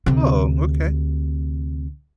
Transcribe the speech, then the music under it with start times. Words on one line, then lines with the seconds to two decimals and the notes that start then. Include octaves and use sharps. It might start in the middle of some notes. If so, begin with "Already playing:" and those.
Oh, okay.
0.06 D2 C3